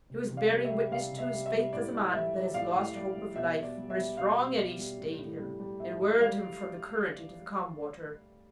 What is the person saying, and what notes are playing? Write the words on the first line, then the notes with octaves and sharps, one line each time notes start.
He was bearing witness to his faith as a man that has lost hope of life, when a strong eddy stayed him, and whirled him from the current into the calm water.
C3
C3
D5 F5
G3
E5
G3
C3 D5 F5
C3
E5
G3
E5
G3
A2 D5
A2 D5
G3 E5
G3
A2 D5 F5
A2
G3 D5
G3
B2 E5
B2
D5
G3
E5
G3
B2 D5 F5
B2
G3
G3
A2
A2
G3
G3
A2 E5
A2
G3 D5 F5